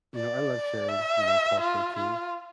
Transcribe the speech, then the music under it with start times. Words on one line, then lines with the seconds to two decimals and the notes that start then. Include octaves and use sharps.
you know, I love sharing, you know, culture too.
0.16 D5
0.88 E5
1.60 F4
1.96 F4